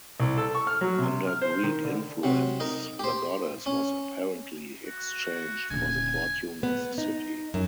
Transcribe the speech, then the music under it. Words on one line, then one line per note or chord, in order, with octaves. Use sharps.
Under Greek influence, the goddess was apparently exchanged for the Fortune of the City.
C2
A4
C#6
F6
F#3
C3
F6
C5
D#3
D3
C3 F#3
D#4 A#4
G4 C5
C#4
F#4
D#1 D3 G#5
B3
D#4
F#2